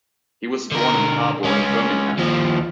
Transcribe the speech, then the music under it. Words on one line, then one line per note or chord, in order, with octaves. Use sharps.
He was born in Harborne, Birmingham.
D3 A#4
G#3 C#4
D#2 F3